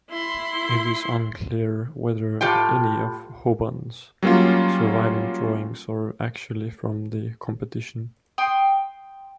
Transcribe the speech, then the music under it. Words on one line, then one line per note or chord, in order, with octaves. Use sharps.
It is unclear whether any of Hoban's surviving drawings are actually from the competition.
E4 C6
A2 F4 G4 G5
F#3 G3 A#3 C#4 F4
G5 C6 D#6